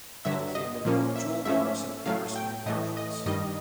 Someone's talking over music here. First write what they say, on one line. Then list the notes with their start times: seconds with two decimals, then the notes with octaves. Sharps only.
It came in both jewel box and paper sleeve versions.
0.25 G2 D3 F#3 E5
0.55 D#5
0.85 A#2 F3 A#3 C#4
1.16 E5
1.45 G#2 F3 A3 C#4 E5
2.06 A2 F#3 A3 F5
2.36 G5
2.66 A2 E3 A3 D#5
2.97 D#5
3.26 G2 D#3 G3 D#5